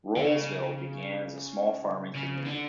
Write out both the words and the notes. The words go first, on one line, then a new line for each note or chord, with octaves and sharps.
Rolesville began as a small farming community.
D3
C#3
C#3
D3